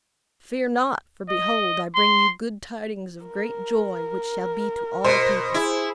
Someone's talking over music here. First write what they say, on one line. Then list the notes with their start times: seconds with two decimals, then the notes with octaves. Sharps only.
"Fear not: for behold, I bring you good tidings of great joy, which shall be to all people."
1.30 D#5
1.95 C6
3.26 A#4
5.04 B2 C5
5.54 E4 G#4